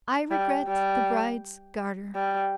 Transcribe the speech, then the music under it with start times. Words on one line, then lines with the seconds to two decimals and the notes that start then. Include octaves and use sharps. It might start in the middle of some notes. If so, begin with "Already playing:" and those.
I regret the bride's garter.
0.31 G3
0.68 G3
2.16 G3